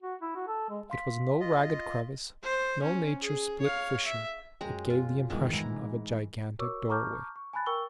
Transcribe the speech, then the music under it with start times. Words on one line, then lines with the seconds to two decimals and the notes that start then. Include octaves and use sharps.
It was no ragged crevice, no nature split fissure; it gave the impression of a gigantic doorway.
0.03 F#4
0.22 E4
0.36 F#4
0.48 A4
0.70 G#3
0.90 F5 C6 B6
1.40 F4 D#5
2.43 C5
2.83 C#4
3.22 G#4
3.60 C#5 F5
4.05 E5
4.61 F#2 G#3 G5 A#5
4.90 F4
5.30 G1 G#2 D#3 E3 G#3
5.53 G#2 E4 A#5
6.59 F#4 A#4 C#5 C#6 D6 E6
6.89 A5 A#5 C#6 D6 F6 G6
7.36 C#6
7.53 G#5 A5 B5 F#6 A6
7.66 A#4 G5 C#6 E6 G7